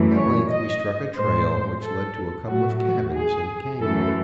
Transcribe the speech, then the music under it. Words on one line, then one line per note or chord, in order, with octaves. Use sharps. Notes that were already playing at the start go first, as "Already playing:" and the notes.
At length we struck a trail which led to a couple of cabins in the canyon.
Already playing: F#2 E3 A3
C#5
D#5
A2 G#3 C5
A4
A2 F#3 A3 F#4
F#4
G#4
F#2 E3 A3 A4